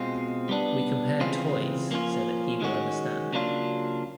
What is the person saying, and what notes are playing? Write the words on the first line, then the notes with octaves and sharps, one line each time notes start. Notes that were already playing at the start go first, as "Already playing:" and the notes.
We compare toys so that he will understand.
Already playing: B2 G#3 C4 F4
G3 B3 D4
C#3 E3 G#3 C4 F4
F3 A#3 C#4 F4
D#3 G#3 C#4 F#4
C#3 F#3 A#3 D4 F4